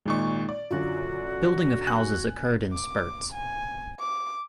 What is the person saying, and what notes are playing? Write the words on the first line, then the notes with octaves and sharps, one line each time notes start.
Building of houses occurred in spurts.
G#1 A#2 G#3 D#4 D#5 C#6
D5
F#2 D3 F#3 F4 F#4
G#5 F#6
D6
G#5
D6